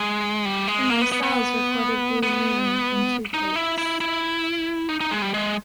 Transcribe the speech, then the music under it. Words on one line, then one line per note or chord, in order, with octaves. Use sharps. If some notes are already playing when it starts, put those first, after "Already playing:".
The Marcels recorded "Blue Moon" in two takes.
Already playing: G#3
G3
G#3
A#3
B3
B3
B3
B3
D#4
E4
E4
E4
D#4
D#4
G#3
G3
G#3